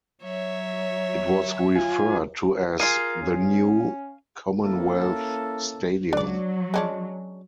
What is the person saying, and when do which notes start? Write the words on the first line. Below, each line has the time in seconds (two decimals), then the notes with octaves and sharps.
It was referred to as "The New Commonwealth Stadium".
0.23 F#3 C#5 E5
1.75 F4 G#5
2.80 F4 G#4 A#4 F5 G#5
3.22 C#4
4.62 A#3 C#4 E4 A4
6.13 F#3 D4 D5
6.74 G#3 C#4 D4